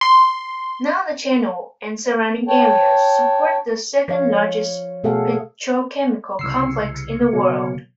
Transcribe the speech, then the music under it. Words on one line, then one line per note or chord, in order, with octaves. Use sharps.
Now the channel and surrounding area support the second-largest petrochemical complex in the world.
C6
C#5 G5 A5
F3 C#5 F5
B2 A3 G#4 A4 F5 F#5
C2 C#3 E6 C7
B2 F#3 A#3